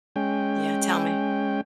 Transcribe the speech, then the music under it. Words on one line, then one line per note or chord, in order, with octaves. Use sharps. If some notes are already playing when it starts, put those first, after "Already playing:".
Yeah, tell me.
G#3 C#4 G5